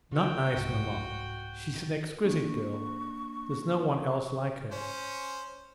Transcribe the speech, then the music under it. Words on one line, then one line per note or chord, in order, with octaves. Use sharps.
"Not nice, maman; she's an exquisite girl; there's no one else like her."
C#3 F#4 G5
C2 G#2
A#3 D4 C#6
C#4 C5